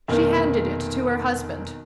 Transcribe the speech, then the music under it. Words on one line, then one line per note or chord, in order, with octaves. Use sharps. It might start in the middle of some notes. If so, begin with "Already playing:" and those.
She handed it to her husband.
F1 B2 D#3 A#3